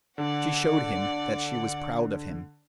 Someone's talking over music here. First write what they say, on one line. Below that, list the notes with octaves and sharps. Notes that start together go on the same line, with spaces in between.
She showed him that she was proud of him.
D3 D5 F#5